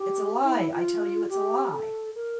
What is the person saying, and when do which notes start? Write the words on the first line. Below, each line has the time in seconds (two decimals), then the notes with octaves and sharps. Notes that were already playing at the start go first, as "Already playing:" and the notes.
"It's a lie--I tell you it's a lie!"
Already playing: G4
0.43 E4
0.57 E4
0.72 F4
1.29 G4
1.72 A4
2.15 A#4